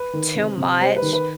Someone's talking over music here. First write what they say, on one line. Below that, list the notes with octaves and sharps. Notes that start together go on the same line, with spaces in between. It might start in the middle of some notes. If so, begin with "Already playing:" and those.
too much
Already playing: B4
D#3
C3
C3
G3 C5
B4
D#3
B4